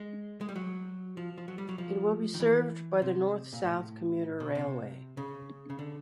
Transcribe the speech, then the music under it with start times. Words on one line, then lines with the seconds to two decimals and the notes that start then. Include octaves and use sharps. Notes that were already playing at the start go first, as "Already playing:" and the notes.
It will be served by the North–South Commuter Railway.
Already playing: G#3
0.41 G#3
0.49 G3
0.56 F#3
1.17 F3
1.38 F3
1.48 F#3
1.58 G3
1.69 F#3
1.78 F3
2.34 D#3
2.40 E3
3.02 C3
3.53 A#2
3.64 A2
4.40 B2
4.55 C3
5.17 C#3
5.70 C#3
5.79 D3